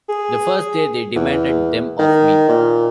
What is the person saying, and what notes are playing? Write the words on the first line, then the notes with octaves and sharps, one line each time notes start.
The first day they demanded them of me.
G#4
E2
D#3
A#2